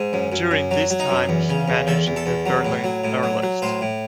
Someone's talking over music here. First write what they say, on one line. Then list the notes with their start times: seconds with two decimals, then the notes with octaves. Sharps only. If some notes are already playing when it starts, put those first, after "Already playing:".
During this time he managed the Berlin Airlift.
Already playing: G#2
0.13 F#2
0.32 F#2
0.51 F#2
0.71 F#3
0.90 F#3
1.00 D#4
1.10 F#2
1.29 E2
1.49 C#3
1.68 E2
1.87 E2 A4
2.07 E2
2.16 A4
2.26 E2
2.46 F#3
2.65 A2
2.84 F#3
3.04 A2
3.23 F#3
3.42 F#3
3.62 A2 C5
3.81 A2